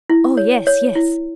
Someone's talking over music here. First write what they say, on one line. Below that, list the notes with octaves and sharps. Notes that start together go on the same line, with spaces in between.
"Oh, yes, yes!"
E4
C#5
C#5
E4